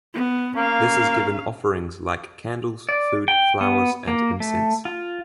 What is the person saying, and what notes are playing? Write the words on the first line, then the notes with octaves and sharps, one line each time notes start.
This is given offerings like candles, food, flowers, and incense.
B3
A#3 C#4 F5
D5
G5
B3
A#3
A3
F4